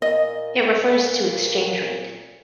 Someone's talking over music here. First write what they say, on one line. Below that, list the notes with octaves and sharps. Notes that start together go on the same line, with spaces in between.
It refers to exchange rate.
A#2 D#5